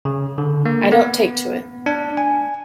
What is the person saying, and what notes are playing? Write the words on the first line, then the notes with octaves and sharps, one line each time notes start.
I don't take to it.
C#3
D3
A#3
B3
D4
G#5